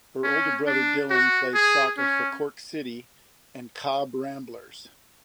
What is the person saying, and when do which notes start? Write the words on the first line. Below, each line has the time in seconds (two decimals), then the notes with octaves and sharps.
Her older brother Dylan played soccer for Cork City and Cobh Ramblers.
0.24 C#4
0.67 D4
1.10 F#4
1.54 G#4
1.98 C#4